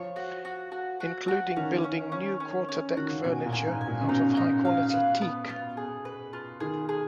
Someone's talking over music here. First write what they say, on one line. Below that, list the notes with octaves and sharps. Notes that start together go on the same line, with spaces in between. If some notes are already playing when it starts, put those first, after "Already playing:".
Including building new quarter deck furniture out of high quality teak.
Already playing: F3 C#5
F#4
F#4
F#4
F#4
F#4
D#3 C#4
C#4
C#4
C#4
C#4
D#3 F#4
C#3
B2 G#5
A#2
G#5
G#2
G#5
A#2
C#3
B2 D#4
D#4
F5
B4
B3
F4
G#4
B4
F4
D#3 G#4
G#4